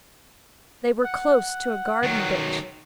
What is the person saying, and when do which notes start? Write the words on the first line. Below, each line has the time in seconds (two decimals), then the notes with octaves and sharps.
They were close to a garden-bench.
1.04 F#5
2.03 D#3 F#3